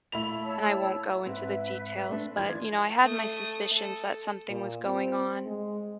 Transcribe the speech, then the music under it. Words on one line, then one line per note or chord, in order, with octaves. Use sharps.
and I won't go into the details, but, you know, I had my suspicions that something was going on,
A#2 A3 E4 B5 F7
C#5 A5 E6
G#2 C4 B4 E5
A3 C4 D4
D#2 E3 F3 D5 G#6
A3 D#6
A4
A#2
C4
G#3